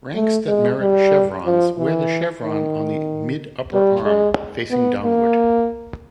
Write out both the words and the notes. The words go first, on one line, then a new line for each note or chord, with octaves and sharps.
Ranks that merit chevrons wear the chevron on the mid-upper arm, facing downward.
A3
G#3
G3
F3
E3
D#3
G3
G#3
B3
A#3